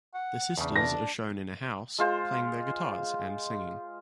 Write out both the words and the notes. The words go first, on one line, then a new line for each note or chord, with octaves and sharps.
The sisters are shown in a house playing their guitars and singing.
F#5
E2 C#3 D4
D4 A#6
G#3 F4 C5